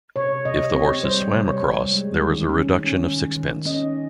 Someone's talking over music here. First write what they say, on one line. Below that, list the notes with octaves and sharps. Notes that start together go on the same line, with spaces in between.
If the horses swam across, there was a reduction of sixpence.
C3 C#5
C3 D#5
C4 C#5
G3 C5
C3
C#5
G3
G#3
D#3
C#4
C#4
D#3
D#3
C#4 D#5